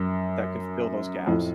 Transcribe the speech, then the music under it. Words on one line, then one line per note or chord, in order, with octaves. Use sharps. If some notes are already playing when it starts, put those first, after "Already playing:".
that could fill those gaps.
Already playing: F#2
F2 A2